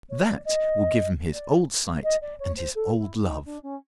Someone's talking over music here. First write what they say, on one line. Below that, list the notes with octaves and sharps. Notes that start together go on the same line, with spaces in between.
That will give him his old sight and his old love.
C#5
D5
D#5
D5
D#5
D5
C#5
C5
A4
E4
D#4
D4
C#4